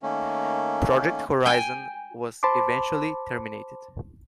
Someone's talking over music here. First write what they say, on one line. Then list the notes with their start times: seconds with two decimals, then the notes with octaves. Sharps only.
Project Horizon was eventually terminated.
0.03 D#3 A3 A#3 C#4
1.46 G5 G#5
2.43 C5 A5 B5 C6 D6